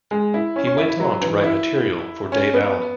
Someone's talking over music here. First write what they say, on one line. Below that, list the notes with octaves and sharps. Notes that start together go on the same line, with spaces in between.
He went on to write material for Dave Allen.
G#3
E4
C#4
C#4
E4
E4
F#3
E3
E4
C#4
B3